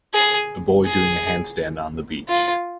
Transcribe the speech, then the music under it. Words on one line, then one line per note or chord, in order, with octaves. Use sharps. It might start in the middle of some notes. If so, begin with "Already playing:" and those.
A boy doing a handstand on the beach.
G#4
G#4
F4